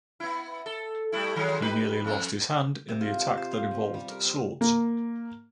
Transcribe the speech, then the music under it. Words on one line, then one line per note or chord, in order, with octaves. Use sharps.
He nearly lost his hand in the attack that involved swords.
B3 E4
A4
G3 A3 E4
D#3 F#3 G#3
D#4 G4 B4
F2 A3
C3
F4
A5
C5
F5
F3
G3
A#4
C4
A#3